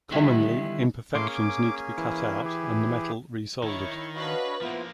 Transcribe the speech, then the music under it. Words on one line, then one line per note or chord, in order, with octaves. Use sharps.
Commonly, imperfections need to be cut out, and the metal re-soldered.
D3 D#3 G3 B3 E4 G4
A2 A#3 C#4 G#4 C6 D6
D6
E3
G4 G#4
D#3 E4 C#5 C#7
D4 F#4 B4 C#5 D#5 F5
F3 A#3 B3 E4 F4 C5